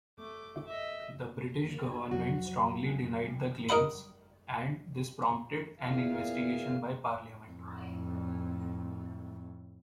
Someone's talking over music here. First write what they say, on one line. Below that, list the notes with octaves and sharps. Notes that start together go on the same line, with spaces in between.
The British Government strongly denied the claims and this prompted an investigation by Parliament.
A3 D6
D#5 E5
C2 F2 F#3 F#4
A#4 D#5 F#5 B5
E2 A#2 F5
F2 A2